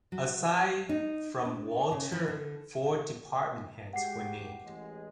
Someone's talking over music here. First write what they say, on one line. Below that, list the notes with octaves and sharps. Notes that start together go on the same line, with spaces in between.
Aside from Wolter, four department heads were named.
F#3
D#4
D4
C#3
E3
D3
G#3 F#4 G4 F#5 C7
A1 G#3